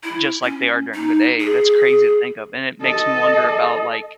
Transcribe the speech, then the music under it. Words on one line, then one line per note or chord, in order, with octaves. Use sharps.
just like they are during the day, that's crazy to think of, and it makes me wonder about, like,
E4
C#4
D#4
G#4
A4 D#5